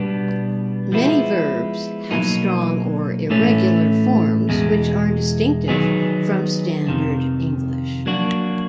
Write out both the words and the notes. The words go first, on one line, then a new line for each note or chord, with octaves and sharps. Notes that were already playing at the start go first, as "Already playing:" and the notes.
Many verbs have strong or irregular forms which are distinctive from Standard English.
Already playing: B2 G3 B3 D4
F3 G#3 B3 E4
B2 F#3 A#3 D#4
A2 E3 A3 C#4
E2 B2 G#3
D#3 F#3 B3 D#4 G#4
F2 C3 D#3
F#3 A#3 D4 F#4